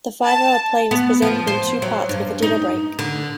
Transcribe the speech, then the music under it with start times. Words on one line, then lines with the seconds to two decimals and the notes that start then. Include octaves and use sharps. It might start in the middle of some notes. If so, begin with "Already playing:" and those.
The five-hour play was presented in two parts with a dinner break.
0.24 A5
0.91 B3
1.22 F3
1.47 C5
1.82 F#3
2.09 G2
2.42 D#4
2.99 D3